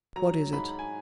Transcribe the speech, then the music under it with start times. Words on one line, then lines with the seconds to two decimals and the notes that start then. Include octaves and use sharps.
"What is it?"
0.16 F#3 A#5
0.53 G#2 B5
0.79 G#5